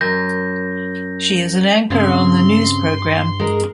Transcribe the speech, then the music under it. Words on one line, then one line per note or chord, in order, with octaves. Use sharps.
She is an anchor on the news programme.
F#2 G6 A#6
G2 C#3 C4 C6
G#3 A#4